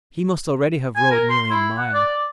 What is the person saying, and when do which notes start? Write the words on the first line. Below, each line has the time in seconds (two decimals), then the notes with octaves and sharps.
He must already have rowed nearly a mile.
0.96 G#5
1.11 A#4
1.30 C6
1.51 E4
1.78 F#5
1.94 D5